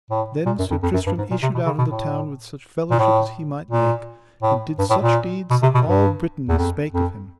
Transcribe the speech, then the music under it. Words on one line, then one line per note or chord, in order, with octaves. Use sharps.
Then Sir Tristram issued out of the town with such fellowship as he might make, and did such deeds that all Brittany spake of him.
A2
A#2
F#2
F2
F2
F#2
G2
G#2
A#2
C3
B2
C#3
B2
A2
A#2
A2
A#2
A2
G2
A2
A#2
B2
C3
B2
G2
E2
F2
F2